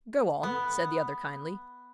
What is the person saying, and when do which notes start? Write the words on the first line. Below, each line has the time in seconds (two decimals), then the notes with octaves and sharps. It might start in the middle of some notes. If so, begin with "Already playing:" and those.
"Go on!" said the other kindly.
0.43 B3